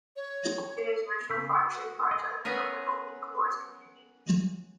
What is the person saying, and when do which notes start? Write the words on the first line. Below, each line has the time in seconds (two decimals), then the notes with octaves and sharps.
It is the original flagship project of the OpenCores community.
0.16 C#5
1.30 C#3 B5 G6
1.56 F#4
2.11 G#4 D#5
2.45 B3 C#4 G#4 A#4